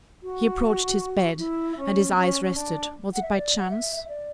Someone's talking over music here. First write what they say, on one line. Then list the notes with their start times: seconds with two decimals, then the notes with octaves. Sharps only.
He approached his bed, and his eyes rested, was it by chance?
0.23 F#4
1.38 E4
1.77 C#4
2.10 B3
2.15 C#4
2.42 C#4
2.54 D4
3.13 F#5
3.22 E5
3.32 D5
3.58 F#5
3.70 E5
3.96 E5
4.08 D5